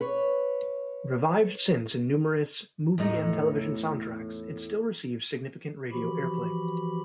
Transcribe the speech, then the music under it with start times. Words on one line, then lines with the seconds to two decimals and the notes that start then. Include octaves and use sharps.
Revived since in numerous movie and television soundtracks, it still receives significant radio airplay.
0.01 B4 C#5
2.98 E2 A2 D#4
5.92 E3 F3 F#4 G4 B5